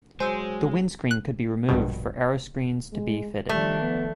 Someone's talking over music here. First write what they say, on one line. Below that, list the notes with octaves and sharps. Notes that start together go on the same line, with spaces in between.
The windscreen could be removed for aeroscreens to be fitted.
F#3 G#3 C5 G#5 E6
F#6
A#1 G2 B2
G#3
D#3 F3 G3 A3 D4
B3